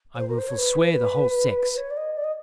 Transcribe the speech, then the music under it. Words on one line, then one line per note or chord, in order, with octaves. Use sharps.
I will forswear the whole sex.
C#5
C5
A#4
C5
C#5
B4
C#5
D5
D#5
D5
D#5